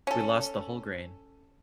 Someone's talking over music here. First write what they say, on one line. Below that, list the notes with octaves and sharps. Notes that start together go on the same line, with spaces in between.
We lost the whole grain.
C#4 A4